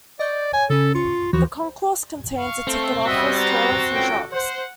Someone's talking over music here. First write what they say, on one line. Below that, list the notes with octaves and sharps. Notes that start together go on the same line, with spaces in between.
The concourse contains a ticket office, toilets and shops.
D5 D#5 C#6 G6
C#5 G#5
C#3 C#4 A4
F4 C#6 C#7
D#2 E3 F3 F#4
F5 C#6
A3 C4
G3 B3 F#4 D#5 E5
A#5 A6
C#2 A4 G5
C5 F#5